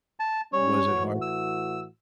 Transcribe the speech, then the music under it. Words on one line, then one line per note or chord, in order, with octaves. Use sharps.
Was it hard?
A5
G3 C#4 C#5
A2 E3 F#4
E6